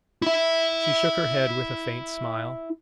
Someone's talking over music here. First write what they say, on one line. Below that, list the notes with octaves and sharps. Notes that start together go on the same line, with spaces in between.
She shook her head with a faint smile.
E4 E5